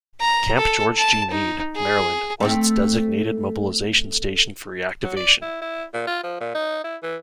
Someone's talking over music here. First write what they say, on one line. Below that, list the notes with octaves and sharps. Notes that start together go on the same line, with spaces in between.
Camp George G. Meade, Maryland, was its designated mobilization station for reactivation.
A#5
A4
A5
D#4
G#4
A3 C4 A4
F#3
D5
E4
E4
A#2
F4
F3
A#2
D#4
E4
E3